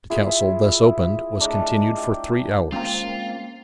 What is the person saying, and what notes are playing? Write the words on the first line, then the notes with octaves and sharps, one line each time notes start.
The council thus opened was continued for three hours.
E4 F4 G#4 E5
G#3 A3 D4 A#4
G5
G#3 A#3 C4 C#4 F4